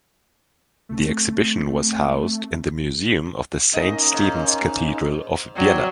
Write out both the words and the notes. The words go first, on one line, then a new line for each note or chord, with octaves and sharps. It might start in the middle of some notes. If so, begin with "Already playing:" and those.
The exhibition was housed in the museum of the Saint Stephen's Cathedral of Vienna.
A3 C4
A#3 C#4 D#4 D#5
G#2
F#3 C4 D5